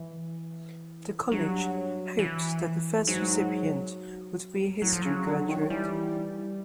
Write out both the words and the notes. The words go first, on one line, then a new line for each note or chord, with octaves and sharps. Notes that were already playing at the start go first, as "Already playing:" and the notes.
The college hoped that the first recipient would be a history graduate.
Already playing: E3
G2 F#3
E3
G#2 F#3
A2 F#3
F3
C#3 F#3
D3
D#3
E3 G3